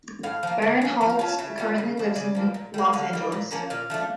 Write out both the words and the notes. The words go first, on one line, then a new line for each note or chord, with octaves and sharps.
Barinholtz currently lives in Los Angeles.
A2 F5
F3 A#3
D3
F3 C#4
F3 A5
A#5
C#4 F4 A5
A5
C#3 E5
G3 C#4 F4
C#3
F3 A3
C#3 D5
F3 A#3
A#2
G3
A#3
D3 F5
G3 A#3
A#2
F3 A#3 C#4
A#2 F5
F3 A3 D4